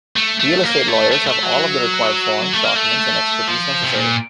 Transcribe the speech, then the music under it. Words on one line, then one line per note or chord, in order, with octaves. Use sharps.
Real estate lawyers have all of the required forms, documents and expertise necessary.
A3
A3
A#3
A3
A3
A3
F#3
A3
A#3
A3
F3
C3
A#2